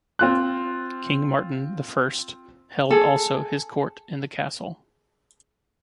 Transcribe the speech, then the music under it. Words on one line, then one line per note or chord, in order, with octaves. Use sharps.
King Martin the First held also his court in the castle.
C4 F4 F#6
G#4 A4